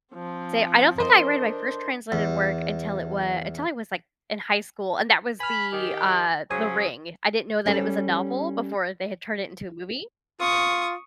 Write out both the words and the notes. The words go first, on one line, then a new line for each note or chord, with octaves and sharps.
Say I don't think I read my first translated work until it wa until I was, like, in high school, and that was the, uh, The Ring. I didn't know that it was a novel before they had turned it into a movie.
F3 C4
A4 A#4 C5 D#5
D4
E2
G#5 B5 F6
D#3 G4
C#3 F#3 C5 G#5 D#6
G3 C#4 G4 A4 D5
F4 C#6 D#6